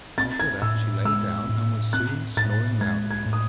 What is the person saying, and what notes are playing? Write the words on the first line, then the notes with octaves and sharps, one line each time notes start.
After that she lay down and was soon snoring loudly.
C4 A6
G#6
A2 E6
G#3 E6
A2
C4 F#6
A2 A6
G#3 G#6
G#6
A2
D#6